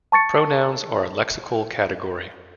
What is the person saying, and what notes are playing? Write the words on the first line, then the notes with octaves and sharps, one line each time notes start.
Pronouns are a "lexical category".
A5 C#6 A6 C#7